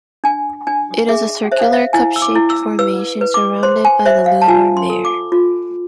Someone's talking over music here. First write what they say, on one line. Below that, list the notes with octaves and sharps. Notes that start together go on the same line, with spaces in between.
It is a circular, cup-shaped formation surrounded by the lunar mare.
D4 G#5
D4 G#5
G#4 E5
C5 E5
F5
E5
E4 G#5
E6
D6
E4
E6
B4 E6
B4
D6
C5 C6
G#5
C5 E5
F5
A5
F4 G#5
C6
A4
D6
F4